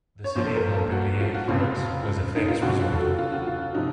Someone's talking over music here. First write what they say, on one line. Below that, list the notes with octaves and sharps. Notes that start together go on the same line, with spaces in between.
The city of Montpellier, France was a famous resort.
C#5
A#1 A#2 F3 C5
A4
A#4
A4
F#4
F4
F#4
F1 F2 C#3 F4
D#4
F4
F1 D#2 C#3 F#3 F#4
F4
A4
F#4
F4
F#4
F4
C3 F3 D#4